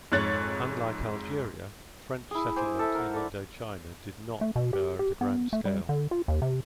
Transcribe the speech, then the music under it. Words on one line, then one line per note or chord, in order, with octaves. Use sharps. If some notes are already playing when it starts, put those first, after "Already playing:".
Unlike Algeria, French settlement in Indochina did not occur at a grand scale.
F2 G#2 C#5 F#6 A6
E4 G#4
C5 G#5 D6
A4 E5
A#4 F#5
A4 D5
A3
B2
G4
G4
B3
A3
G3
D3
F4
D#2
C3